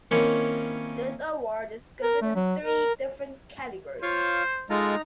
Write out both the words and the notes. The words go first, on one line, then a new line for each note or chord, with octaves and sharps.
This award is given in three different categories.
D#3 A#3 C4 C#4 E4 C#5
A#4
A3
F#3
A#4
F4 C5 C#5 F5
G#3 D#4 F4 A4 A#5